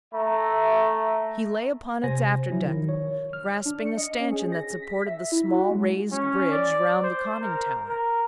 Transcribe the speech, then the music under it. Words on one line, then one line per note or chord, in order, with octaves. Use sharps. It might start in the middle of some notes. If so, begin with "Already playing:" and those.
He lay upon its after deck, grasping a stanchion that supported the small raised bridge round the conning tower.
A3 E5 A#5
C3 C5 G#5 A#6
F3 F#3 E4
D#3
C#5
F6
D4
C#7
D#5
C#4
G#4
A#6
B6
E5
E4
F#4
G#3
C#4
D5
C5
A#4
A#4